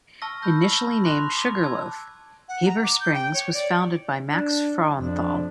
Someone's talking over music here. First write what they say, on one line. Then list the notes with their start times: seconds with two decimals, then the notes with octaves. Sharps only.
Initially named Sugar Loaf, Heber Springs was founded by Max Frauenthal.
0.22 A5 C#6 E6 F6 A#6
0.42 B5 C#6 E6 G6 A#6
0.64 E6
1.04 C6 D6 F#6 A#6 F7
1.37 D6
1.63 A5 E6 G#6
2.49 F#5
2.66 A#5
2.83 D6
3.00 G6
3.14 G5
3.33 C#5
3.54 D5
4.27 D4
4.97 F2 D4